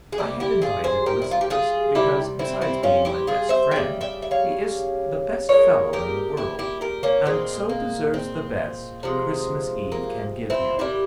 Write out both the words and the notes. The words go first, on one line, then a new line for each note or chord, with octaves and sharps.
I had invited Lycidas, because, besides being my best friend, he is the best fellow in the world, and so deserves the best Christmas eve can give him.
G#4
C3 G3 E4 G4
E4 G4
F4 G#4
G#4 C5
G4 A#4
E4
F4
G4
F4 G#4
C3 G3 E4 G4
C4 E4
C4 E4
C#4 F4
E4 G4
F4 G#4
C5 E5
C#3 G3 E5 G5
E5 G5
E5
C#5 F5
A#2 G#3 A#4 C#5
G4 A#4
E4 G4
E4 G4
G4 A#4
A#3 C#4
A#2 G#3 C4
A#3
C4
C3 F3 G#3
A#3
C4 E4
A#2 G3 E4 G4